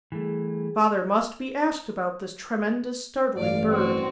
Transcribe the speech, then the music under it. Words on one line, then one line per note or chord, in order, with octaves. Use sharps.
Father must be asked about this tremendous, startling bird.
E3 G3 A3 G#4
A1 G2 D5 F5
C4 F#4